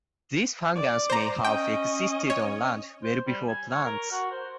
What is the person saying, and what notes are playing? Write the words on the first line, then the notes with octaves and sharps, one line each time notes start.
This fungus may have existed on land well before plants.
D5
C5 A#5
C#4 D#5 G5
C#5
C5
G3
G#5
C#5
A#4
F#4
C5